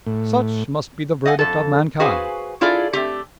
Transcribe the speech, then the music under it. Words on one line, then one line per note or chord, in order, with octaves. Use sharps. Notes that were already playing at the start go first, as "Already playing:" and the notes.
Such must be the verdict of mankind.
A2
D#5 F5 F#5 G#5
F2 A4
F#4 G#4 B4 C5 F5 G#5
E4 F4 G#4 A4 D5
A3 C4 G4